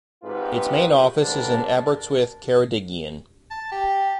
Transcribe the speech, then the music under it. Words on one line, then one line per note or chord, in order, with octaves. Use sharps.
Its main office is in Aberystwyth, Ceredigion.
G#1 G#2 C4 F4 G4 B4
A1 G#2 D3 G3 D4 A#4
A5
G4